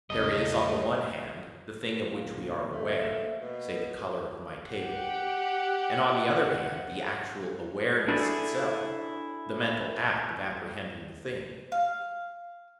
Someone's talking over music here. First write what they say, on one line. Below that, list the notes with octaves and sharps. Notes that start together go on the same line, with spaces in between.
There is on the one hand the thing of which we are aware--say the colour of my table--and on the other hand the actual awareness itself, the mental act of apprehending the thing.
E1 C#3 G3 A4 D#5
D1 A#2 A#3
A3
A#3 E7
B2
G4 F#5
D4 E4 F#4 G#4 A4 D5
F5